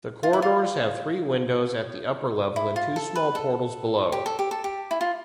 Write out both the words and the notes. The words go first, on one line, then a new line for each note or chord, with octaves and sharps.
The corridors have three windows at the upper level and two small portals below.
F4
E4
F4
E4
F4
A4
B4
A4
G4
A4
G4
A4
G4
E4
F4